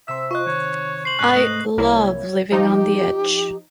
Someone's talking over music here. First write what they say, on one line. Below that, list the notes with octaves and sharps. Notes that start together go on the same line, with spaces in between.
I love living on the edge.
C3 E5 C6 E6
F4 C5 D#5 C#6 F#6
D#3 C#5
C5 C7 F#7
G#2 C#4 F#6
A3 D#5 B5
C2 A#3 E4 C#5
F3 D#4 G4